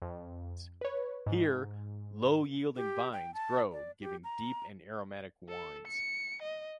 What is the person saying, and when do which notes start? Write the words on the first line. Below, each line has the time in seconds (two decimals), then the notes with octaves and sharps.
Here, low-yielding vines grow giving deep and aromatic wines.
0.02 F2
0.81 B4 C#5
1.26 G#2
2.76 G4
3.13 G5
3.34 A5
3.72 D5
4.01 G4
4.24 A#5
5.49 A4
5.87 C#7
6.43 D#5